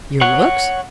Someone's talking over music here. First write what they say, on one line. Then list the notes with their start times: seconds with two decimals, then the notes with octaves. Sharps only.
"Your looks?"
0.21 C#5 F#5